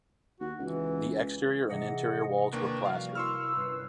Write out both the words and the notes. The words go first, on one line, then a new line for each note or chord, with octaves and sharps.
The exterior and interior walls were plastered.
D#2 F#4
C#2 E3
C3 E3 G#4 D#5 F#5
D#2 A#3 D4 B4 G5 C#6
F3 G3 F#4 F5
E4 A#4 C6 C#6 E6 F6
G1 C#4 B4 C7